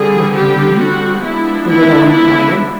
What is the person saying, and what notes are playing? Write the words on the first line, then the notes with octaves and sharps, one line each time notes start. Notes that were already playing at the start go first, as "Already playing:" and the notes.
"With money?" the widow inquired.
Already playing: D3 G3 C4 G#4
G4
F#4
F3 G#3 B3 D4 E4
E4
E4